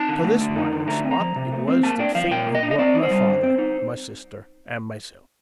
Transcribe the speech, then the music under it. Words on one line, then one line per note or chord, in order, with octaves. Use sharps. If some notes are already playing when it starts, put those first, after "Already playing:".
To this wild spot it was that Fate had brought my father, my sister, and myself.
Already playing: D#4 A5
D3
A3
D3
D#4
D3
A3 A#5
C4
A#5
F3
C3
A3
C4
A#3 A5
D4 G5
F3 F5
A#2 G5
A#3
D#5
D4
D#5
C4 D5
D#4
C5
G3
D3
C4
D#4